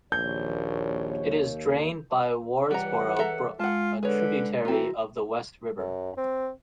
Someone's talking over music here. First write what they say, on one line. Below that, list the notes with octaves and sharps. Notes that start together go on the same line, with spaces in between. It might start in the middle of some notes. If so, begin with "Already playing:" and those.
It is drained by Wardsboro Brook, a tributary of the West River.
A#1 D#2 C#5 G6
C#2 E3 G3 F#5 A#5
A4 E5 A#5
G#3 F4 F#5 A5
D3 G#4 B4 C#5
E3 C4 F4 F#4 A#5
F#2
C4